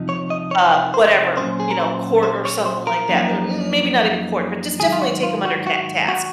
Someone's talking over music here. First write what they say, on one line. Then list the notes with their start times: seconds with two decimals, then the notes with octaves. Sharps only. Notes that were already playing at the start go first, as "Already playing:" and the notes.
uh, whatever, you know, court or something like that, or, um, or maybe not even court, but just definitely take them under cat task.
Already playing: F2 C3 F3 D#4
0.09 C#5
0.30 D#5
0.51 C#5
0.94 C5
1.37 A#2 F#3 C#4 C5
1.60 G#4
1.70 A#4
1.80 C5
2.23 C5
2.45 C#5
2.66 C5
2.87 A#4
3.08 F#2 F3 A#3 D#4
4.80 G#2 D#3 F#3 G#4
4.92 F4
5.02 F#4
5.23 F4
5.45 F#4
5.67 F#4
6.08 F#4